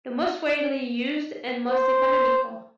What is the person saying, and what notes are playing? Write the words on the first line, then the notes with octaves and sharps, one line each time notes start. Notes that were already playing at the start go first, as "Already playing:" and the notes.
The most widely used and most economical.
C5